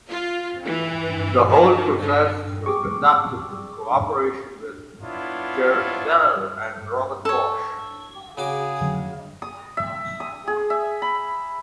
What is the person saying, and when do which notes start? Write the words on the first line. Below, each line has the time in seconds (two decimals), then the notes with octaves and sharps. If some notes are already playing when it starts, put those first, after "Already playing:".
The whole process was conducted in cooperation with Goerdeler and Robert Bosch.
0.10 F4
0.64 E3
1.49 D#3
2.00 D3
2.66 G4 G#4 C#6 D6
5.02 B3 D4 E4 F4 C#5
7.25 A4 C#5
8.37 C#3 F#4 G#4 D6
8.81 F1 D3 F#3
9.42 D#6
9.77 E5
10.20 D#6
10.47 G#4
10.70 E5
11.02 B5